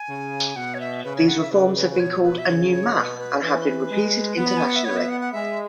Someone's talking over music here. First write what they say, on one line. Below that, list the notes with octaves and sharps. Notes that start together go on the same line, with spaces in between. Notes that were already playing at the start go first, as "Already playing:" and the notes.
These reforms have been called a new math and have been repeated internationally.
Already playing: G#5
C#3
B2 F#5
C#5
E5
C#3 B4
C#5
F#5
E5
C#3 B4
B4
B4
B2 C#5
B4
E5
C#3 C#5
C#5
B2 B4
B4
E3 B4
G#3
B3
B5
G#5
F#5
E5
B3 C#5
E5
F#5
F#5
G#3 E5